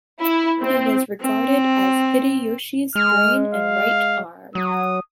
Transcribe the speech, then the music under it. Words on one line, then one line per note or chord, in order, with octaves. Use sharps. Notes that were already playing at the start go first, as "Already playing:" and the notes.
He was regarded as Hideyoshi's brain and right-arm.
E4
C4
C4
G#3 F6
F5
F#3 D#6